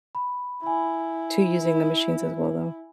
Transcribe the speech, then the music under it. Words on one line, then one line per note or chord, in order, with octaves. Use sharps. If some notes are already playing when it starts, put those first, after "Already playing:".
to using the machines as well, though.
B5
E4 G#5 B5